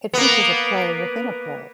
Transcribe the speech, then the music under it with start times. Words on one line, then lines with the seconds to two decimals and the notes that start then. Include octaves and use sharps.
It features a play within a play.
0.13 A#3 B3